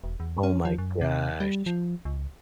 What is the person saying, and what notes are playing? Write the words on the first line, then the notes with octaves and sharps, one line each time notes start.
Oh, my gosh.
E1
E2
C#4
F3
F#2
C3
G3
F3
C#2